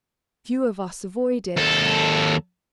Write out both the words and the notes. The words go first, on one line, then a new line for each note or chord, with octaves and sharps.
Few of us avoid it.
D#2 A4